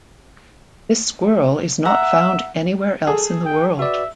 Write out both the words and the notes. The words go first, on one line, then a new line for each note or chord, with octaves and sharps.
This squirrel is not found anywhere else in the world.
E5 F#5 A#5
G#4 A4
G5
F#4 B4 D5 E5